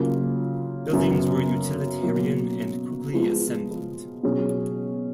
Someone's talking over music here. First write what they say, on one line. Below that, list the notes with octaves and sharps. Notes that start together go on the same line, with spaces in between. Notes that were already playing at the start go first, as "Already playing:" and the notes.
Buildings were utilitarian and quickly assembled.
Already playing: C#3 F#3 A#3 F4
F#2 C#3 F#3 B3
B2 F#3 A#3
F3 G#3 B3 F4
B2 F#3 C#4 G#4